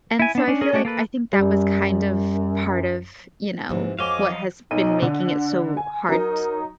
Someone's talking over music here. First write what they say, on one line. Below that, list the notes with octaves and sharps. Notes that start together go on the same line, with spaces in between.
and so, I feel like I think that was kind of part of, you know, what has been making it so hard t
E4 G#5
B3 D4
C#4 D4
C#4 G#4 A#4
G#3 A3 F#4 D5
A#3 A4 B4
F#2 G3
G#2 C3 E3 F3
F2 C4 F#4 C#5 D#5 F5 G#5 D6
B1 D#4 D#7
D3 D4
G#5
F#3 D#4 A#4